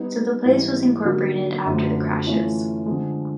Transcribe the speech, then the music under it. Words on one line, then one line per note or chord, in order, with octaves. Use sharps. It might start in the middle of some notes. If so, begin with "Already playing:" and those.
So the place was incorporated after the crashes.
Already playing: G3 B3 D#4
G#2 E3 G3
D3 F#3 A#3 D#4 F#4
F#2 D3 F3 A3
E3 A3 C#4 F4
D3 F3 G#3